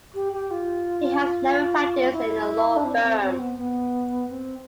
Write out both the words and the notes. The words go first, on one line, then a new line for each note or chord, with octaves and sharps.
He has never practiced in a law firm.
G4
G4
F4
E4
D4
C4
C4
C4
B3
B3
C4